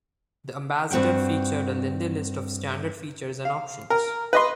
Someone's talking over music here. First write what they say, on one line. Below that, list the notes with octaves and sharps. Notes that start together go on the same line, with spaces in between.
The Ambassador featured a lengthy list of standard features and options.
G2 C4 F#4 F#5 G5
F5
A#4
B4 D#5 C6